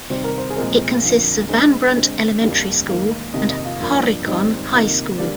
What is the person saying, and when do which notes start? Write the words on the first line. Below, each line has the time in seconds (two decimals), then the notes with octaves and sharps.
It consists of Van Brunt Elementary School and Horicon High School.
0.10 C3 D#3 G3 C5
0.24 A#4
0.38 C5
0.50 G#4
0.56 A#2 F3 G#3 C4 A#4
1.03 F2 D3 F3
1.49 D3 G#3 C4
1.96 D3 G#3 C4
2.41 F2 D3 G3 A#3
2.88 G#2 D#3 A#3
3.34 F2 C3 D#3 A#3 D#5
3.50 D#5
3.65 F4
3.80 G2 F3 A#3 F4
3.96 D4
4.26 G#2 D#3 G3 C4 D#4
4.72 C3 D#3 A#3 F4
5.18 D3 G3 A#3 D5